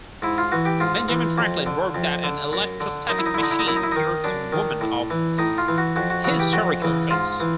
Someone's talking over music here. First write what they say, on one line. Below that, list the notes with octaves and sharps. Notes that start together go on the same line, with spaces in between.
Benjamin Franklin wrote that an electrostatic machine cured a woman of hysterical fits.
G#2 E4
F4
E3 F#4
G4
G#2 F4
E3
F2
D3
F2
D3
F#2
D3
F#2 D#4
E4
D#4
E4
D3 D#4
E4
D#4
F#2 E4
D#4
E4
D#3 D#4
F#2 D4
D#3
A2
E3
A2 D#4
F4
E3
F#4
F2 F#4
F#4
C#3 E3 F#4
G4
F2 F#4
C#3 E3
G#2 F4
E3